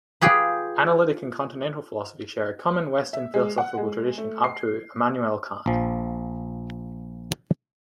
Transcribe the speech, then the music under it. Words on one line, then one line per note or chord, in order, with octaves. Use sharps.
Analytic and continental philosophy share a common Western philosophical tradition up to Immanuel Kant.
F4 G4 G#4 B4
E5
G#3
F#5
G#3
A3
C7
A#1 F3